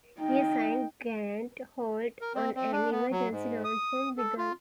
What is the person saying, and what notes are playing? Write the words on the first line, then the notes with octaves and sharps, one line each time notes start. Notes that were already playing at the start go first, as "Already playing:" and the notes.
He signed Grant Holt on an emergency loan from Wigan.
D#4 G5
A#4
C4
C4
D4
B3
F#3
G#2
D#6
A4
F4